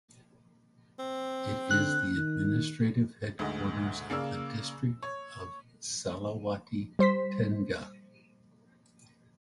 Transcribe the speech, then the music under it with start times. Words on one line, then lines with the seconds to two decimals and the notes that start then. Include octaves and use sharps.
It is the administrative headquarters of the district of Salawati Tengah.
0.99 C4
1.71 D3 F#6
2.15 D#3
3.39 D2 G#2 D3 D#5
4.10 C#3 A#3 D5 E6
5.03 C#5
6.99 G3 C5 C6 B6